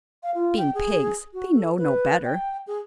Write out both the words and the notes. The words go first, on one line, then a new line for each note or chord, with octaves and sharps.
Being pigs they know no better.
F5
F4
G5
G#4
F#4
A4
B4
G5
G#4